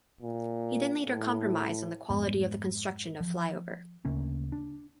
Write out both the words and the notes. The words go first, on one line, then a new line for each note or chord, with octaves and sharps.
He then later compromised on the quality of the construction of flyover.
A#2
A2
F2 G#2 G#3 B3
F3
D2 C#3 A#3 C#4
D4